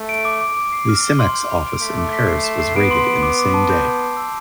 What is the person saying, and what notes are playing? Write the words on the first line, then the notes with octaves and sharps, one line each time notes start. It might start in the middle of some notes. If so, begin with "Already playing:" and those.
The Simex office in Paris was raided in the same day.
Already playing: A3
D7
D6
D6
D6
C7
F6
G7
C6
G6
F7
D7
A3 B6
D6
B6
C7
E7
C7
B3 D7
C6
D7
D6
D6
A5
G6
G6
C7
E6